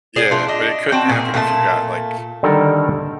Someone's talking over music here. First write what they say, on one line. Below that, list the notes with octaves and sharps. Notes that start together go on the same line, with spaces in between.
Yeah, but it couldn't happen if you got, like,
G#4 D5
A3 D4 F4
D4 D#5
C4 F#4 G5 A5
A#2 G#4
A#2 A3 F4 A5
D3 D#3 G3 A4 A#4 A5